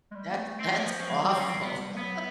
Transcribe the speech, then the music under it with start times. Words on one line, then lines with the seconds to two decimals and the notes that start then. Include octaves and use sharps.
That's that's awful.
0.11 G#3
0.15 G3
0.30 A#3
0.38 A3
0.61 A3 C4
0.75 A#3
0.83 F3 B3
1.00 C#4
1.06 C4
1.10 G#3
1.19 G3
1.30 F#3 C4
1.39 C#4
1.49 C4
1.52 G3
1.64 G#3 B3
1.75 G3
1.98 F#3 B3